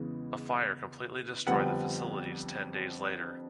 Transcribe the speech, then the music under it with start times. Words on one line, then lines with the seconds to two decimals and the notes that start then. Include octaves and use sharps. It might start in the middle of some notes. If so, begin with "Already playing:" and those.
A fire completely destroyed the facilities ten days later.
Already playing: E2 C#3 E3 G#3
1.47 F2 D3 G3 B3 F#5
1.59 G5